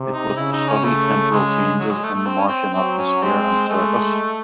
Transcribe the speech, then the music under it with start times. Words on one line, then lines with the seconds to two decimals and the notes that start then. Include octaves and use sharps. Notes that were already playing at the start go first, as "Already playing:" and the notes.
It was to study temporal changes in the Martian atmosphere and surface.
Already playing: C3
0.13 D#4
0.36 C#3 E4
0.53 D#4
0.68 C#4
0.84 A3
1.31 C#3 G#3
1.80 F#3
1.91 G#3
2.03 A3
2.15 A3
2.26 C4
2.38 C#4
2.48 C4
2.74 F#3 C4
2.98 C#4
3.22 G#3 C4
3.69 G#3 A3